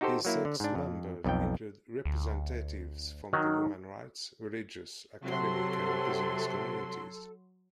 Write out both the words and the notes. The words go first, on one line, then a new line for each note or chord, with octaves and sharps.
These six members include representatives from the human rights, religious, academic, and business communities.
D#4 F#4 G4 A4 C5
F#3 A#3 E4
D3
G#2 D4
F2
B1 F2 G5
D2
D#3 F#3 D#4
C3 F#3 A4 C6